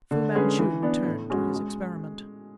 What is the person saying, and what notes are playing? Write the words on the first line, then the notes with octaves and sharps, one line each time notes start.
Fu-Manchu returned to his experiment.
D3
G#3 C#4 G#4 B4
E3
B3 D4
A2
G#3 C#4 F#4
G#3